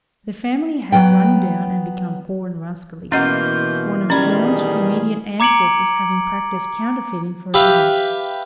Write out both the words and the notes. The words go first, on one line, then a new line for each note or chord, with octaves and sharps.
The family had run down and become poor and rascally, one of Jeanne's immediate ancestors having practiced counterfeiting for a living.
F#3 B3 G5
B2 E3 A#3 C#4 F4 D#5 F#5 G6
B2 D#3 G3 C#4 B5 G#6
G#4
A#5 D6 G#6 C#7 D7 F#7
G4 B4 E5 F5